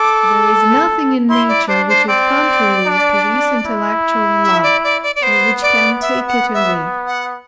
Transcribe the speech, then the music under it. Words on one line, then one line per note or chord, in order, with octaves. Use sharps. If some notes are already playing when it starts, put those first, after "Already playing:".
There is nothing in nature, which is contrary to this intellectual love, or which can take it away.
Already playing: A4 D6
E4 C6
D5
D4 C5
C5
C4 D5
D4
E4
E5
D5
D5
D5
D5
B3 C5
D5
E5
F#5
E5
F#5